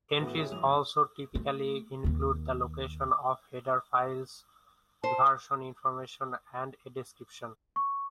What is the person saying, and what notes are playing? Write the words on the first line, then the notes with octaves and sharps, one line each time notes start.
Entries also typically include the location of header files, version information and a description.
A2 E3 B3 F#4 A4
E4 G4 G#4 C#5
E3 F#3 D#6 F7
F#1 C#4
A3
D#2 D#3
C5 A5
C#6